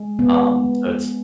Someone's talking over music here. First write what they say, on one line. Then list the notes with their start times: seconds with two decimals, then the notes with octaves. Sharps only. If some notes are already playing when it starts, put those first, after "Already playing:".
Um, so it's
Already playing: G#3
0.19 B3